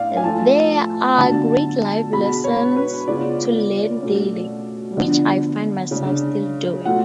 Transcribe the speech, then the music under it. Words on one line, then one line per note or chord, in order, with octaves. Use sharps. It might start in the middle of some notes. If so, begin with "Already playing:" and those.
There are great life lessons to learn daily, which I find myself still doing.
Already playing: A2 D5 F5
G#5
F3 A3 F4 A5
D3 F#3 B3 A5
B2 G#3 B3 B5
C#5
B4
C#3 G#3 B3 F4 D5
B2 A3 C#4
D3 F3 B3 D4
C#3 G#3 D4
B2 A3 F4 F#5